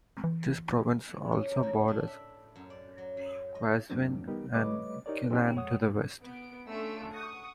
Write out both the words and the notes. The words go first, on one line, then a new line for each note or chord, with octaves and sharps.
This province also borders Qazvin and Gilan to the west.
E3
C#4
A#4
A2
D4
E5
F#2
D5
F#3
F#2
D#5
E2 G2 F#3 A#3 C4 D4
G3 B3 D#4 G4 A#4
G3 A3 B4 C#5 D#5 D6
D#4 G4 A#4 C#5 D5
C4 C#4 D#4 G4 C#5 G5
F2 G#3 C#5 F#5 D#6
B3 D7
A3 C#4 D4 F4 E6 D7
F#5 C#6 D#6